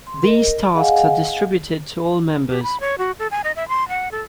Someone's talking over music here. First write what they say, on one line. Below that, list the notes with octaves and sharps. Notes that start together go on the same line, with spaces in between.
These tasks are distributed to all members.
C6
A#4 D#5
G#4 D#5 F5 F#5 G#5
G4
B5
C#5
F#4
A4
G#5
D#5
E5
C6
F#5
A4